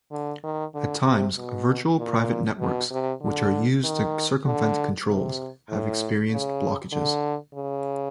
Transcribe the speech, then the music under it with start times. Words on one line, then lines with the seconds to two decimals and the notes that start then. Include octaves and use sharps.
At times, Virtual Private Networks, which are used to circumvent controls, have experienced blockages.
0.11 D3
0.43 D#3
0.74 D3
1.04 C3
1.36 B2
1.98 A#2
2.60 B2
2.91 C3
3.21 D3
3.84 D#3
4.45 D3
5.06 C3
5.69 A2
6.31 C#3
6.92 D3
7.55 C#3